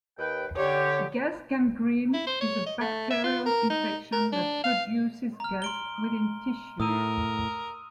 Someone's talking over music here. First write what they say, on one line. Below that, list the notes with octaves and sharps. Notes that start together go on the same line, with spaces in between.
Gas gangrene is a bacterial infection that produces gas within tissues.
D#2 B4 G5
D3 G4 C#5
E4
C5
C#5
D#5
A3
E5
F4
A#4
D#4
A#4
D4
F5
A#5 F6
C6 D7 G7
A2 A#4 D#6 E6 D#7